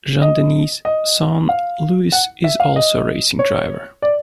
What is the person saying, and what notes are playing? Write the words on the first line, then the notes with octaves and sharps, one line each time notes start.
Jean-Denis's son, Louis, is also a racing driver.
D#5
D#5
F5
F#5
E5
F5
D#5
C#5
D5